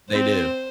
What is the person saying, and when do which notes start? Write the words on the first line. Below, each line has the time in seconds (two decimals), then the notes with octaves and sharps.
They do.
0.13 C4 C5